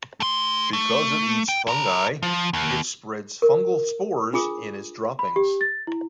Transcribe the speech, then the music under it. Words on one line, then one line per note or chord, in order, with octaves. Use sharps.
Because it eats fungi, it spreads fungal spores in its droppings.
A3 C6
A3
G5
A4 A#5
F3
D#2
A#4
D4 F4 G#4 D#6
B5
G4
A6
E4